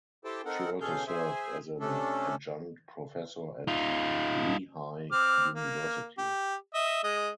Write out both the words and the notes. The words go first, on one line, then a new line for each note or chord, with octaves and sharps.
She also served as an adjunct professor at Lehigh University.
E4 G4 A4 C5 G5 A5
C4 D#4 A4 A#4 F#5
B2 C#4 G#4 A4 F5 G6
G#4 C5 E5 G#5
C3 A3 C#4 D4 A4
D#4 F4
C4 D6 F6
A#3
G4
D#5 E5
G#3 D#5